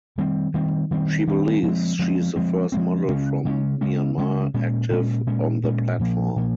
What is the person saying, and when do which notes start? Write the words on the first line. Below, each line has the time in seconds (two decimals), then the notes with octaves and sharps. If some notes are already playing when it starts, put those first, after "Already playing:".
She believes she is the first model from Myanmar active on the platform.
0.18 D#3 G3 C4
0.54 D#3 G3 C4
0.91 D#3 G3 C4
1.27 D#3 G3 C4
1.63 F3 G#3 C4
1.99 F3 G#3 C4
2.36 F3 G#3 C4
2.72 F3 G#3 C4
3.09 C#3 G#3 C#4
3.45 C#3 G#3 C#4
3.81 C#3 G#3 C#4
4.18 C#3 G#3 C#4
4.54 A#2 G#3 C#4
4.91 A#2 G#3 C#4
5.27 A#2 G#3 C#4
5.63 A#2 G#3 C#4
5.99 A#2 F3 A#3
6.36 A#2 F3 A#3